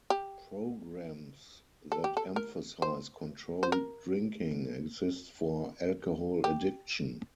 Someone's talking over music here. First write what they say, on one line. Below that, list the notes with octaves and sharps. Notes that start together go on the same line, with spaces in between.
Programs that emphasize controlled drinking exist for alcohol addiction.
G4
A4
G4
A4
A#4
C5
C5
A#4
G4